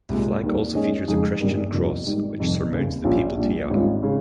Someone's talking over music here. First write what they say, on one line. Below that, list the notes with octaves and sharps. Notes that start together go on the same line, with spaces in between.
The flag also features a Christian cross, which surmounts the Papal Tiara.
C2 A#2 G#3
D#2 D#3 G3 A#3
D#3 G#3 C#4 G#4 D#5
F2 C#3 G#3 D#4 G#4
G1 G2 D#3 G3 A#3
G1 F2 C3 F3 A#3
G#2 D#3 G3
F1 F2 C3 G3
F1 D#2 C#3
A#1 A#2 G3 C#4 F4
A#1 A#2 G3
G#1 G#2 G3 C#4 F4
C#3 G#3 C#4